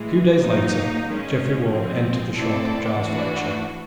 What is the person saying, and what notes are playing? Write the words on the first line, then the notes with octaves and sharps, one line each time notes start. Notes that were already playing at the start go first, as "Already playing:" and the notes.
A few days later Geoffrey Ward entered the shop of Giles Fletcher.
Already playing: A2 E3 G#3
F#3 A#3 D#4
D#3 G#3 C#4
F3 G#3 C4
A3 C4 E4 A4 D5
E3 A3 D4 F#4